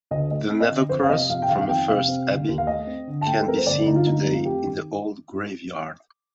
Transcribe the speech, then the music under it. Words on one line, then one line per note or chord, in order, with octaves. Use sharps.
The Nethercross from the first abbey can be seen today in the old graveyard.
D2 D#5
A3 D#5
C4
D#5
D3
F2 C5
F5
C3 D#5
F2 F5
G5
D#3 F5
F5
F2 G5
C3 F5
C4
D3
D#2
F5
A3 D#5
C4
D3
A5
A3 G5
A4
F2 A#4
C5
G1 D5
D3 D#4
F4
A3 D#4
F2
F4
F2 G4
D#3